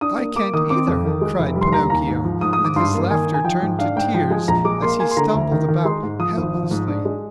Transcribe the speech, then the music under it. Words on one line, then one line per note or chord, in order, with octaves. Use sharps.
"I can't either," cried Pinocchio; and his laughter turned to tears as he stumbled about helplessly.
D4 D#6
A#3
A#3 D6
D#3 D#6
C4 D6
F2
D#3
G#3
F1
G3
C6
D#2 A#5
D#2 A#5
G#2
F3
G#2 D#6
D#6
G#2
D6
G2 C6
A#3
D#3 G#5
D#4
G#5
F3 G5
G#2
D4 F5
G#2 G5
F3 G5
G#3 G#5
A#1 A#5
G#3 D6
A#3 C6
A#3 G#5
C6
D3 A#5
D2
D#3
D#3
G#3 C6
G#2
F3 D#6
G#1
F3
G#2
D4
G#3